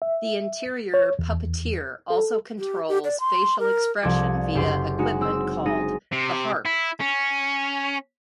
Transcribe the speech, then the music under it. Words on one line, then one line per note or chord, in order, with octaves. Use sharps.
The interior puppeteer also controls facial expression via equipment called "the harp".
E5
C#5
E2
A4
G4
G4
D5
C6
A#4
C2 F3 A4 D5 D6 G#6
F#1 G4 C6
G#3 D#4 F#4
C4 E6
G#3 D#4 A#6 D#7
C3
E4
C#4